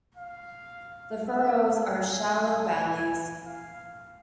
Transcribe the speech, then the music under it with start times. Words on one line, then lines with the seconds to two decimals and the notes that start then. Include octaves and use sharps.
The furrows are shallow valleys.
0.17 F5
1.27 E5
1.81 G#5
2.36 G#5
3.47 F5